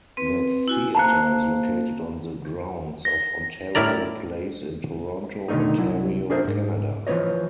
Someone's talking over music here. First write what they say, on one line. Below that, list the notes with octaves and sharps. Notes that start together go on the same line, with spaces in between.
The theatre is located on the grounds of Ontario Place in Toronto, Ontario, Canada.
C4 B4
E4 F#4 G#5
A#3 C5 F5 A5 A#5 F#6
A#6
A2 E4 A#4 D5 A#5
B2 D3 D#3 A3 D#4
C2 F#3 E4
D4 G#4 A#4 C5 E5
E2 G#2
E3 F3 A#3 B4 C#5 D#5